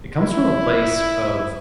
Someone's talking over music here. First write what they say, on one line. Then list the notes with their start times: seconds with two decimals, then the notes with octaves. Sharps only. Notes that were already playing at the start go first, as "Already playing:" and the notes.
it comes from a place of
0.22 E4